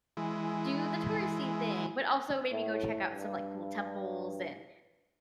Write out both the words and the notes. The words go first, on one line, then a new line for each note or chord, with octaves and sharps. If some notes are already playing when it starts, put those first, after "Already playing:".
do the touristy thing, but also maybe go check out some, like, cool temples and,
E3 G#3
A2
G2